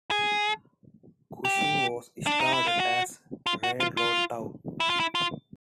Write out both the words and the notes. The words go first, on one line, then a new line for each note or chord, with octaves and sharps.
Cushing was started as a railroad town.
G#4
G4
D4
D#4
E4
F4
F#4
F4
F#4
F4
F4
E4
F4
E4
F4